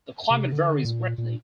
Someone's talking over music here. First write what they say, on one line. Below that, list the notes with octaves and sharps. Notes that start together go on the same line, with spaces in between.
The climate varies greatly.
C3
D3
A#2
A#2